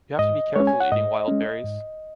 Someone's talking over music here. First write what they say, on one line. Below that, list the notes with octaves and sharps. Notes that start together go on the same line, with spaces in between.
You have to be careful eating wild berries.
G#2 D#5
G#3 C#4 C#5
G#5
F#5
G#2 D#5
G#3 C#4
G#2